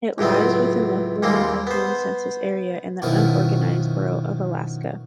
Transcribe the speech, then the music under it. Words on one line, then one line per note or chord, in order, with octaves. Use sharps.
It lies within the Hoonah-Angoon Census Area, in the Unorganized Borough of Alaska.
C#2 A2 F#3 B3 C4
D#2 G3 G#3 A#3 C4
B3 C5
F#2 B2 D#3 F3 E4